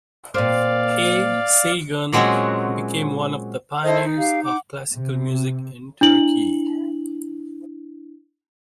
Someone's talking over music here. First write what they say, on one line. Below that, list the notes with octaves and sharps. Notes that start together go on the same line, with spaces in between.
A. Saygun became one of the pioneers of classical music in Turkey.
A#2 C4 D5 F5
A#2 F#3 G#3 C4 C#4 F#4
E4 A4 C5 D#5
D#4
G4 F5
F#5 D6
C3
D4 E4 F#7